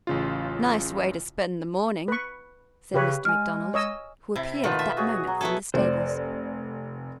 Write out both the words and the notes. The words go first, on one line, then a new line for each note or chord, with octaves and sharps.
"Nice way to spend the morning," said Mr. McDonald, who appeared at that moment from the stables.
A1 C#3 F4
B4 C#6
C#3 G4 B4 C#5
G#3 G#5 F6
C#5 D#5 E6
C3 E4
B2 D#3 A3 B3 F4
E5 A5
F#4 G#4 C#5
F#3
B3 E4 A4 G#5 C#6
F1 C5 D5